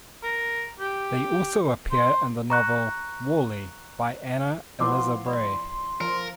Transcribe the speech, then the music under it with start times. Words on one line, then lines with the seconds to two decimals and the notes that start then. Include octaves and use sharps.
They also appear in the novel "Warleigh" by Anna Eliza Bray.
0.23 A#4
0.80 G4
1.91 C5
2.50 A#5 C#6 F#6
4.80 F3 B3 E4 C6 D6 E6
5.26 D5 B5
6.01 F3 A#4